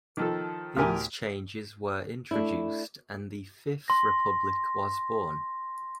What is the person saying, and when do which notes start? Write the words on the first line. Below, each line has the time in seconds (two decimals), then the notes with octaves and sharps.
These changes were introduced and the Fifth Republic was born.
0.17 D#3 F3 A4
0.77 D2 A2 G4 A#4 G#5
2.31 A3 D4 E4
3.88 C6 A#6